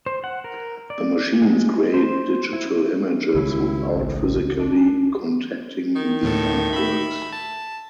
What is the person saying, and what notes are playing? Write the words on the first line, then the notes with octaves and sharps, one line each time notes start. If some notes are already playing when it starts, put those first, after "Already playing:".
The machines create digital images without physically contacting the artworks.
C5
F#5
A#4
D5
G#3
C5
E4
C#2 D#3 C#4 E4
A1
D4
D#3
D2 A2 A4
E5 B5
A5